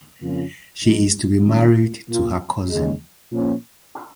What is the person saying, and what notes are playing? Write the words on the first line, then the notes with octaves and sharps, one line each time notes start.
She is to be married to her cousin.
F2 C#3 A#3 C#4 F4
A#1 G#2 G#3 D#4
D#2 D#3 C#4 F4
A#2 A#3 F4
D#2 C#3 G#3
A#2 F3 C#4